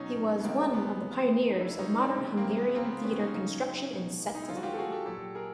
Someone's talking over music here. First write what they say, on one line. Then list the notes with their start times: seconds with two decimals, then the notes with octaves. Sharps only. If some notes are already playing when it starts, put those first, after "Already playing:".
He was one of the pioneers of modern Hungarian theater construction and set design.
Already playing: B2 F#3 C#4 D#4
0.39 B3
0.44 D3 F3 G#3 A#3 C4
0.73 B3
1.02 C3 E3 G#3
1.50 D#4
1.60 C#3 F#3 D4 E4
1.79 C#4 D#4
1.98 C4 D4
2.17 C3 E3 G#3 B3 C#4
2.37 A#3 C4
2.57 B3
2.75 C#3 F3 G#3 A#3 C4
2.84 B3
2.89 A#3 C4
3.04 B3 C#4
3.19 C#4 D#4
3.33 C#3 F#3
3.91 B2 G#3
4.35 D#4
4.42 E4
4.48 D3 F3 G#3 F4
4.56 F#4
4.63 F4 G4
4.73 A4
4.77 F#4 G#4
4.92 G4 A4
5.06 A#2 F#3 G4 A4
5.35 G#4 A#4